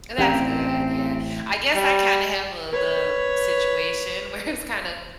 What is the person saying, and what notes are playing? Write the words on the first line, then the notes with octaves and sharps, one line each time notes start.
And that's good yeah. I guess I kinda have a the situation where it was kinda
A1 A2 C4 C#4 G4 D5 G5 A#5
G3
B4 C#5